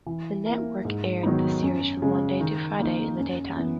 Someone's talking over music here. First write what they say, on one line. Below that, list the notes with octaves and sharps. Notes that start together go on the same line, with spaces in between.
The network aired the series from Monday to Friday in the daytime.
E3
A#3 E4 A#4
G#2
D#3 F#3 B3 D#4
F#2
C#3 G#3
D#3
A#3 D#4
F#2
E3 B3